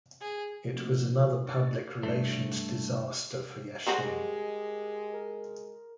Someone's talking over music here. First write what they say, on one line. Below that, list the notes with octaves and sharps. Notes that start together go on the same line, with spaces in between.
It was another public relations disaster for Yashin.
G#4
F3 A3 A#3 C4 D#4 F#4
E3 F#3 F4 A4 C5
G2 C#4 D#4 C#6 A6
G2 A3
G3 G#3 C4 F#4 G4 A#4 D#5
A#4